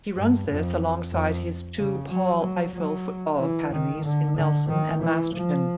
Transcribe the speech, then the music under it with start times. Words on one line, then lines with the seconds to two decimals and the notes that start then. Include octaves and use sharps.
He runs this alongside his two Paul Ifill Football Academies in Nelson and Masterton.
0.15 G2
0.48 F2
1.12 F2
1.78 C#3
2.10 F#3
2.42 F#3
2.74 F#3
3.40 E3
3.72 D#3
4.05 D3
4.36 D3
4.69 D#3
5.02 E3
5.33 F3